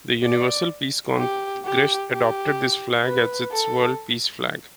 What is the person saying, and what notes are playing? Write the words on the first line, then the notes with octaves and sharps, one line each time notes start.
The Universal Peace Congress adopted this flag as its World Peace Flag.
D5
G4
G4
G4
B4
A4